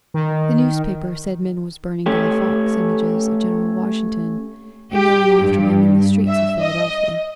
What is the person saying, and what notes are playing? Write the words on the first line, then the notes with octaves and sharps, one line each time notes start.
The newspaper said men was burning Guy Fawkes images of General Washington and yelling after him in the streets of Philadelphia.
D#3
A3 C#4 G4
G4
G2
E5
D#5